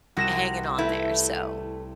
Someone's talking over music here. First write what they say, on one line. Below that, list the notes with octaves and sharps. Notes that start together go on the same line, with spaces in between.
hanging on there. So
C2 F#4 A#6 E7
A3 E4 B4